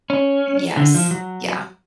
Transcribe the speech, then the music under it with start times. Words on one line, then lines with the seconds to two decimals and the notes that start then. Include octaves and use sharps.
Yes. Yeah.
0.10 C#4
0.77 D3
0.95 F3
1.11 F#3